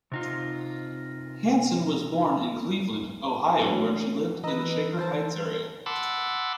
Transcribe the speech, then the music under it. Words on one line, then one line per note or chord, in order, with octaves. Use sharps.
Hanson was born in Cleveland, Ohio, where she lived in the Shaker Heights area.
C3 D#4 F4
B2 E3 F#3 A3 D4
E3 B4 D#5 A#5 E6
C5 A5
F#5 A5 B5 C6 D6 E6